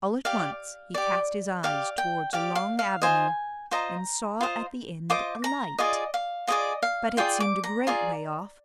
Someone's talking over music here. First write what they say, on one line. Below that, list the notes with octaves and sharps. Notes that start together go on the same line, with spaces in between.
All at once, he cast his eyes towards a long avenue, and saw at the end a light, but it seemed a great way off.
G4 D5 F5
G4 D5
G4 D5 F5
G5
G4 D5 F5
F5
F5
F4 C5 D#5 G#5
F4 C5 D#5 A#5
F4 C5 D#5
F4 C5 D#5 D6
A#5
F4 G#4 D5 D#5
F5
F4 G#4 D5 D#5
F5
F4 G#4 D5 G5
D6
A#5
F4 G#4 D5